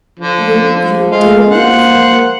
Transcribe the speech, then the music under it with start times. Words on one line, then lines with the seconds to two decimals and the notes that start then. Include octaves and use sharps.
Ring grew terribly afraid.
0.19 D3 F3
1.11 G#3 F4
1.51 A#3 C5 F#5